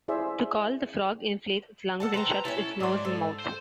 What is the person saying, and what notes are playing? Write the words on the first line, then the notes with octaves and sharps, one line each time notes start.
To call, the frog inflates its lungs and shuts its nose and mouth.
E4 G#4 C5 D5 E5
A4 F#5 A5
B4 C5 G5 A5 A#5
C#4 D#4 E4 A4
G#2 D4 C5
A4
C5